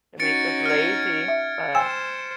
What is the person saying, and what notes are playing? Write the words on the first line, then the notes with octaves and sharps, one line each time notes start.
It makes us lazy, but,
C#4 D#4 F#4 A6 C#7 D7
F6 G#6
E5
C5 G5 G#5 E6 E7